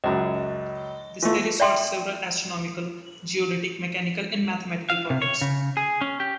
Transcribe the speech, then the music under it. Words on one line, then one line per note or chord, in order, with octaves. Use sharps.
This theory solved several astronomical, geodetic, mechanical and mathematical problems.
C#2 F#2 D#5
E3 A3 F4 C#6
D5 E5 G5 C6
F5
C3
C#5
C#3
G#4
C#4
G4